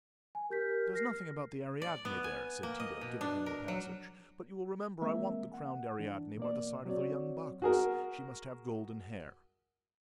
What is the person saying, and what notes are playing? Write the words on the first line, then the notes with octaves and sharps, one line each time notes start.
"There's nothing about the Ariadne there," said Tito, giving him the passage; "but you will remember I want the crowned Ariadne by the side of the young Bacchus: she must have golden hair."
G#5
G4 A#4 G6 B6
F6 A#6 C7
D5
B3
G#5
A#3
D#5
B2
D4
A#4
F#3
E3 G#3 A#3 C4 A#4 E5
F#5
E3 D4
B2 A#3 D5
F#3 C4 F#4 C#5 D5
F#4 G#4 A#4